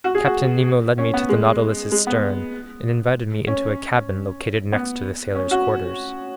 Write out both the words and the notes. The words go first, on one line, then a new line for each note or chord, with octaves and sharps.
Captain Nemo led me to the Nautilus's stern and invited me into a cabin located next to the sailors' quarters.
F#4
G#4
F#4
C#4
B3
G#3
G#3
B3
C#4
B3
C#4
F#4